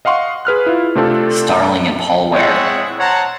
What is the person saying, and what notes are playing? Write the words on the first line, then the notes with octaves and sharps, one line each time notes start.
Starling and Paul Ware.
D#5 F5 F#5 C6 C#6
G#4 B4 F6 F#6
E4 F4
C3 A3 C4 D4 F4 A4
G#3 C4 E4 G#4 C#5 F#5
C5 C#5 F#5 A5 A#5